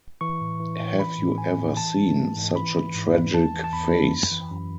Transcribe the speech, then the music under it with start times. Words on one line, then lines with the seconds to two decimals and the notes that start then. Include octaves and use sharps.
Have you ever seen such a tragic face?
0.21 E3 C#6
0.41 A2
0.60 E3
0.80 A2
0.99 E3 B5
1.19 A2
1.38 E3 G#5
1.58 A2
1.77 E3 A5
1.97 G#2
2.17 E3
2.36 G#2
2.55 E3 B5
2.76 E3
2.95 G#2
3.14 E3
3.34 E2 A5
3.54 E3
3.64 A5
3.73 E2 B5
3.92 E3
4.12 F#2
4.32 E3
4.51 F#2